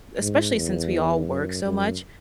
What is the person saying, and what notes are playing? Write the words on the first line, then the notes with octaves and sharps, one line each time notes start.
especially since we all work so much,
G#2
E2
F#2
F#2